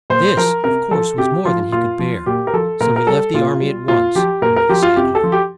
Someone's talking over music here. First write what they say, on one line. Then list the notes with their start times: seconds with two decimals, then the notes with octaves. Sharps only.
This, of course, was more than he could bear, so he left the ar-my at once, and with a sad heart.
0.10 A#2 C5
0.37 F3 A#4
0.64 C3 A#4
0.91 F3 A4
1.18 C3 G4
1.45 F3 F4
1.72 A#2 F4
1.99 F3
2.26 A#2 G4
2.47 A#4
2.53 F3 A4
2.81 A#2 A#4
2.96 A#4
3.07 G3 A4
3.34 A#2 F4
3.61 G3
3.88 A#2 F4
4.15 F3 G4
4.42 A#2 A#4
4.56 A#4
4.69 F3 G4
4.83 F4
4.96 C3 G4
5.15 A4
5.23 F3
5.32 G4